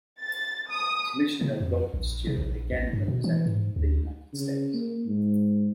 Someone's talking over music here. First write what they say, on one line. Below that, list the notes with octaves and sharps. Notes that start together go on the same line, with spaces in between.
Commissioner Robert Stuart again represented the United States.
A6
D#6
C#3
F2
A#1
C3
A#1
A#1
G2
B2
E3
G#2
D2
C#3
A#3
G#2